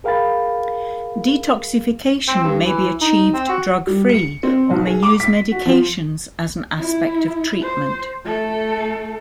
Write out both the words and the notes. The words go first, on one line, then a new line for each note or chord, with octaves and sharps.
Detoxification may be achieved drug-free or may use medications as an aspect of treatment.
G#4 A#4 F5 G5 B5 A6
C4
G2
E3
D#4
C4
F#4
G3
C#7
C4
B1
G#4
D6
B6
F#4
F3
E4
C5
A3 A4